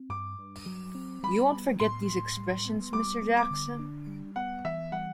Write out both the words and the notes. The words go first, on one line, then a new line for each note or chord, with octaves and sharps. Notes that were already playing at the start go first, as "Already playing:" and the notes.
You won’t forget these expressions, Mr. Jackson?
Already playing: C4
G2 D6
G2
F#3
C4
G3 B5
B3
A2 C6
A2
G3
B3
G3 D6
B3
D6
D3
D4
G3
B3 F#5
E3 E5
G3 F#5